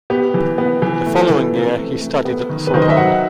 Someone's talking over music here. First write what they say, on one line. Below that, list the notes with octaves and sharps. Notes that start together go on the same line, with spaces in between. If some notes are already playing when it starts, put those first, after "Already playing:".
The following year he studied at the Sorbonne.
B3 G4
E3
B3
E3
A3
E3
C3
A3
A3
B3
D#3
B4
D#3 C5
D#5
E5
F#3 F#5